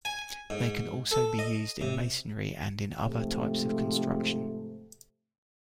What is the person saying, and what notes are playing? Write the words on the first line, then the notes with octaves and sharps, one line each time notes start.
They can also be used in masonry and in other types of construction.
G#5
G#2
A4
D#5
C3
G#2 C3 F3 A3